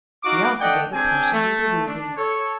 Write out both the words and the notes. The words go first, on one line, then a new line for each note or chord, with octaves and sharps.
He also gave a portion to the Woozy.
D#4 F4 F#4 C#6 D6
A3 D4 D5 D#5 F#5 G5
C4 D4 G#4 G5 G#5
A3
D4
A4 C#5